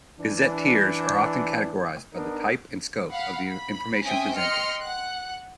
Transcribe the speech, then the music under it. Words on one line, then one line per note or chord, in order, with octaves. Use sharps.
Gazetteers are often categorized by the type, and scope, of the information presented.
E3 D4
B3 D4 D#4 A#4
F5 F#5 B5
B5
C4 C#4 E5 G5 G#5 D#6
D#5 G5 C6 F6 C#7
F#5 F#6